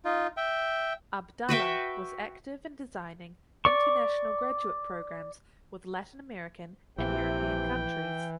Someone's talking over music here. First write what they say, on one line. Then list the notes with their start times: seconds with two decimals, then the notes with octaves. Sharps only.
Abdallah was active in designing international graduate programs with Latin American and European countries.
0.05 D#4 F4
0.37 E5 G5
1.49 F#4 B4 E5 G5
3.65 D5 C#6
6.98 A#1 C3 E3 G5